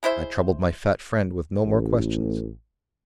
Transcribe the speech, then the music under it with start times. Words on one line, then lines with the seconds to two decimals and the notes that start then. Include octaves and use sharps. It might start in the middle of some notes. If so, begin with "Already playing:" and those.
I troubled my fat friend with no more questions.
0.03 G#3 E4 C5 E5
1.65 A1